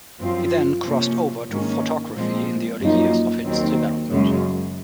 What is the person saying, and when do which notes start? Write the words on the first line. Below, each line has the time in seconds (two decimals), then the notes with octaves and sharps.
He then crossed over to photography in the early years of its development.
0.21 F#2 F3 C4 F4
0.87 C3 F3 A#3 C#4
1.51 G#2 D#3 A#3 C#4
2.16 A#2 F3 G#3 C4
2.81 F#2 F3 A#3 D#4
3.45 D#2 D#3 F#3 C4
4.11 F#2 C#3 G#3